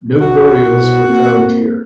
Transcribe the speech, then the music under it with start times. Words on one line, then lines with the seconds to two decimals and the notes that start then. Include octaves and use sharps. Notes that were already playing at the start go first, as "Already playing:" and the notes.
No burials were found here.
0.21 A#1 F#4
0.59 C2 B2
1.07 A#3 C4